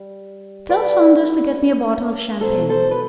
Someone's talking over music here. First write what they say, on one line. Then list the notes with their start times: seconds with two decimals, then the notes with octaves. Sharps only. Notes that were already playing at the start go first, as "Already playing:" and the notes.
Tell Saunders to get me a bottle of champagne.
Already playing: G3
0.69 B4 D5
2.41 B2 F#3 A4 C5
2.69 A4 C5
2.91 B4